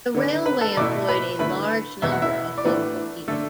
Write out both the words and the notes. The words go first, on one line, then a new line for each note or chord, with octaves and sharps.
The railway employed a large number of local people.
D3 B3 D4
B4 B5
A4 A5
B2 A3 E4 D5 D6
B4 B5
D3 A3 E4 B4 B5
E2 B2 B3 E5
F#5
E4 E5
D5
A2 E3 A3 B3 D4 B4
D3 A3 D4 A4